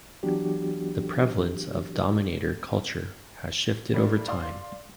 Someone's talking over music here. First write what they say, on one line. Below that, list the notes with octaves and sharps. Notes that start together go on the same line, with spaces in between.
The prevalence of dominator culture has shifted over time.
E3 F#3 B3 D4 F#4 G4
G3 A3 A#3 D4
D5 F5 C6